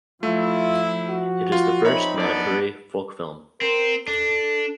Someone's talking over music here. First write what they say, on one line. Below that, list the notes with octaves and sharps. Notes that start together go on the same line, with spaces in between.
It is the first Manipuri folk film.
F3 A3 E4 F4
F#4
F4
C4 D#4 C#5 E5 A#5 B5
F#2 B3 D4 D5
C4 A#4
D4 A4